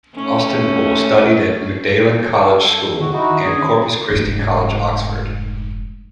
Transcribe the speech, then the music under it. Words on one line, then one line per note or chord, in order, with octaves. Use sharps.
Austin Poole studied at Magdalen College School and Corpus Christi College, Oxford.
A3 C#4
A4
D#3 F#4
D#4 E4 F#4
D#3 C#4 D4 G#4 G#5
F1 G#2